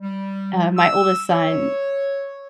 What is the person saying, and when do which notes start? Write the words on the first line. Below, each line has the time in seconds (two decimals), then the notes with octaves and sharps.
uh, my oldest son
0.02 G3
0.77 E6
1.31 C#5